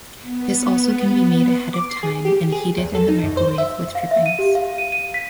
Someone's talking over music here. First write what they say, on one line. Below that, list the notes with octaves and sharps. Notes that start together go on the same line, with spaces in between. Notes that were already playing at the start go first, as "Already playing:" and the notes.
This also can be made ahead of time and heated in microwave with drippings.
B3
D6
C7
G#4
G4
G#4
E2
A4
D#4
F#2
C5
E5
F5
E5
D#7
G4
F5
D#7
D#7
B6